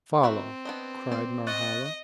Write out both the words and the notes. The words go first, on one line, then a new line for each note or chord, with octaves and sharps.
"Follow," cried Norhala.
D#3 C4 F#4 E5
B3 D4 D#5
B3 C5 D5
D#5 C#6 F#6 A6